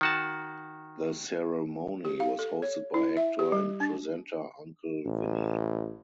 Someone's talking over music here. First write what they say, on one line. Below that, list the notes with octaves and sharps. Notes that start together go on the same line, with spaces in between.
The ceremony was hosted by actor and presenter Uncle Vinny.
D#3 F#4 A5
G4
F5
A4
C#5
E4
E5
G4
G3
D4
A1